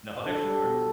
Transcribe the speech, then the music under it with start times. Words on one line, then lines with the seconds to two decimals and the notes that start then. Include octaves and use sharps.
No, I of course.
0.25 D4 A4
0.45 G3
0.64 B2